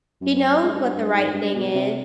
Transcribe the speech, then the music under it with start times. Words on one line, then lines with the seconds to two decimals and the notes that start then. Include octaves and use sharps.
she knows what the right thing is,
0.21 F#2
0.48 F#2
0.62 G#2
0.74 G2
0.94 G2
1.14 G#2
1.34 G2
1.54 B2
1.74 C3